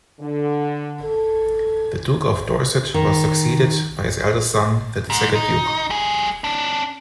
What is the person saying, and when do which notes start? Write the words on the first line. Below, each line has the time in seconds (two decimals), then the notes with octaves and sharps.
The Duke of Dorset was succeeded by his eldest son, the second Duke.
0.20 D3
1.03 A4
2.94 D#3
5.10 G#2
5.35 D#4
5.90 G3 G#4
6.44 C#4 D4